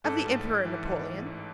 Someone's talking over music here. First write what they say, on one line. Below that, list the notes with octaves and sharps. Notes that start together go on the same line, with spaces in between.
Of the Emperor Napoleon?
G#2 A4
A1
A1
E3
G#2
A1
A1